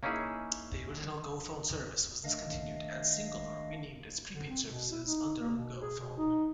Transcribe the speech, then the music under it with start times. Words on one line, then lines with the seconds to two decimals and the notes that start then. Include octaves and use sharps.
The original GoPhone service was discontinued and Cingular renamed its prepaid services under GoPhone.
0.03 A#3 C#4 D#4 E4 G#4
2.24 D#3 A3 D4 D#5 F5
4.33 D3
4.48 C4
4.70 B2
4.92 E4
5.06 D#4
5.40 A#3
5.57 B2
5.82 G#4
6.00 B2
6.18 D#4